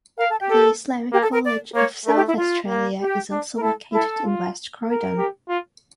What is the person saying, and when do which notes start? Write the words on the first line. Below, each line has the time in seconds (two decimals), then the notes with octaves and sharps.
The Islamic College of South Australia is also located in West Croydon.
0.18 A#4 F5
0.30 A4
0.40 G4
0.50 A4
1.12 A#3 G4
1.22 A4
1.33 A#4
1.44 D5
1.75 A#3 C#5
2.06 A3 A#4
2.16 G4
2.27 E4
2.37 F4
2.68 A#3
3.00 G4
3.31 D4
3.56 A#4
3.61 E4 A4
3.93 E4 A4
4.23 F4
4.87 A#4
5.18 G4
5.49 F4